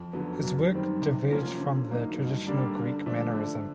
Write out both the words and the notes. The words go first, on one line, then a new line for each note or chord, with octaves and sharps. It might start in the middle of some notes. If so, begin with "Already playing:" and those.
His work diverged from the traditional Greek mannerism.
Already playing: F2
D3 F#3 B3
F#2
D#3 G3 C4
C3
F3 A#3 C#4 F4
D3
F#3 A#3 D#4
G2
D3 G3 A#3 D4
D3
F3 A3 D4
D3